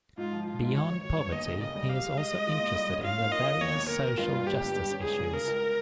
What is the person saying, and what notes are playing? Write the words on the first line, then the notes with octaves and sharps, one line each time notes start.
Beyond poverty he is also interested in the various social justice issues.
G#2 F4
F3
F3 F4
G#2
G#1 C#5
G#1
G#1 C#5
G2
D#2 D#5
C#3
C#3 D#5
G3
G4 F5
G#3
G#3 D#5
G#3
F4
A#2
G3
C#4
F4 F5
A#3
F4 D#5
F4
D#2 C#5
D#2
D#2 A#4
D#2
G2 F4
G3
G1 G4
G2
G3
C#4
C#2 G#4
C#3
C#3 A#4
C#2